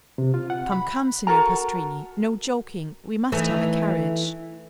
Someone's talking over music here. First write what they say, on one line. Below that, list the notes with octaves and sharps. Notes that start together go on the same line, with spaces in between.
"Come, come, Signor Pastrini, no joking; we must have a carriage."
C3
F4
F#5
B5
F#4 A4 A#4 A#5
E3 A3 D#4